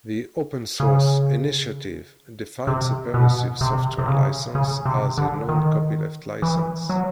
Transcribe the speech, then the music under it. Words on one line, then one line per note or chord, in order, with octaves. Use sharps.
The Open Source Initiative defines a permissive software license as a "non-copyleft license".
C#3
C3
B2
C3
C3
C#3
C#3
C3
D3
D#3
E3
F#3